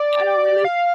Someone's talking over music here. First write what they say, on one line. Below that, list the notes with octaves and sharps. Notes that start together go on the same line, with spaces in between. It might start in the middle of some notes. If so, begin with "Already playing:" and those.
I don't really
Already playing: D5
F5